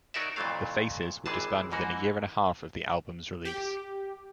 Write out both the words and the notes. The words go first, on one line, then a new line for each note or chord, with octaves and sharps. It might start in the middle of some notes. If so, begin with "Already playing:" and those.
The Faces would disband within a year and a half of the album's release.
F#3 D#4 F#4 A#4 D5 E5
F2 A#2 E3 F#3 A3 F5
G#1 C3 E3 G#4 A5
G#2 E3 A#3 F#4
G4